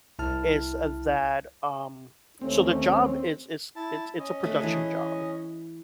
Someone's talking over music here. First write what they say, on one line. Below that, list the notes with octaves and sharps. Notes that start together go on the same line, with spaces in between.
is, uh, that, um so the job is is it's it's a production job,
C2 E4 A5 F6
D#2 A3 C4 C#4
E4 A5
C#4 D#5
A3 D4
E3 G#4 C#5